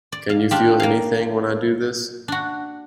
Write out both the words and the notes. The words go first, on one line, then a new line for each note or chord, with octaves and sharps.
Can You Feel Anything When I Do This?
D5
F5
D4 F4 G4
A#3 F5
D4 F#4